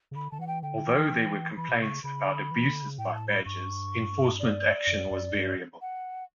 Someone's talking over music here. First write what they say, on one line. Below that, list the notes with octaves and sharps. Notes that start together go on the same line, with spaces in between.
Although there were complaints about abuses by badgers enforcement action was variable.
C#3
D3 B5
D3 A5
E3 F#5
G5
D3 G5
E3
E3
E3 B5
B2
C#3 C#6
C#3 B5
D3
E3
D3
C#3
A2 G5
A5
B5
G2 C#6
D5
F#2
F#2
G2
F#5